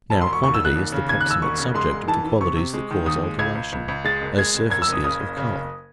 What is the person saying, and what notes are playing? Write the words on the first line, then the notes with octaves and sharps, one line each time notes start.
Now quantity is the proximate subject of the qualities that cause alteration, as surface is of color.
E1 A5
C6
E1
C#6
D#2 C#6
E6
E1 F#6
D#2
C#3
D#2 G#6
F#6
D#2 E6
E1 C#6
C#3
G#3 C6
E1
E3 A5
E3
C3 C#6
C3
G#3
D#3
D#2 D#6
G#3
C#2 G#6
C#2
C#2
C#2
G#3 A6
F#1
G#3 G#6
F#1
F#2 G#6
E6
F#1 D#6
C#3 D#6
F#1
C#3
F#1